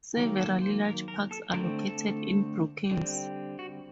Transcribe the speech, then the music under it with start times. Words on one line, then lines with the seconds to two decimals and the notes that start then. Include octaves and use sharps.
Several large parks are located in Brookings.
0.17 D#3 F#3 A#3 A#4
0.39 A4
0.62 C5
0.85 A#4
1.08 A#4
1.31 A4
1.53 D3 A3 C4 A#4
1.88 A4
2.91 D3 G3 C4
3.59 F#4